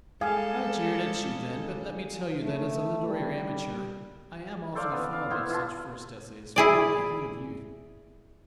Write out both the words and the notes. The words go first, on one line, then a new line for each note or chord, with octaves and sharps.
I jeered at you then, but let me tell you that, as a literary amateur, I am awfully fond of such first essays, full of the heat of youth.
G3 G#3 G#4 A4 F5
A3
G3
A4 C5 D5 F5
B3
F5
B3 E4 C5
E4 F4 A5
E4 G#4 D5